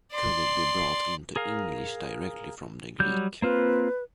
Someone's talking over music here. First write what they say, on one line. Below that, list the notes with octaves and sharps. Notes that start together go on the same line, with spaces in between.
Could it be brought into English directly from the Greek?
D5 C6
G#4 A#4 F5
F#3 G3 G6
A#3 C4 F4 B4